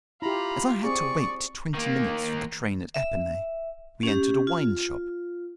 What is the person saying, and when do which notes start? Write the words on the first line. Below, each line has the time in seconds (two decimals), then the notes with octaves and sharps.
As I had to wait twenty minutes for the train at Epinay, we entered a wine shop.
0.22 E4 F4 G4 A#5 B5
0.84 C4 G#4 D5 C#6
1.74 D#3 A#3
2.94 E5
4.03 C#4 G4
4.47 F4